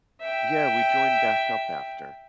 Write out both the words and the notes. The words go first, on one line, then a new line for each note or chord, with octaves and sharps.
Yeah, we joined back up after.
E5 G5